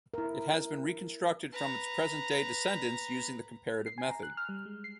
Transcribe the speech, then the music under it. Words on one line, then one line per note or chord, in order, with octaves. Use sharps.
It has been reconstructed from its present-day descendants using the comparative method.
E4 A#4
B4 A#5
C7
G#5
A#5
F#6
F6
G3
G#3
C7